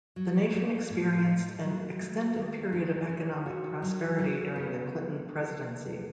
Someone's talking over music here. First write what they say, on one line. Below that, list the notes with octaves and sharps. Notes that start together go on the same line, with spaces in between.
The nation experienced an extended period of economic prosperity during the Clinton presidency.
F#3
A3
A2
D#4
F#3
A3
D#3
D#3
C#4
F#4
F#3
F#3
B3